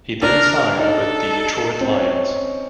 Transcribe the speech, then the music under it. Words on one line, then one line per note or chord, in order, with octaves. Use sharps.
He then signed with the Detroit Lions.
D4 A#4
D#4 A4
C4
C#4